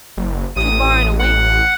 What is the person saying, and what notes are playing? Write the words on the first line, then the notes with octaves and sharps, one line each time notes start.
Two bar and a wing.
F#1
A1 D#6
F#5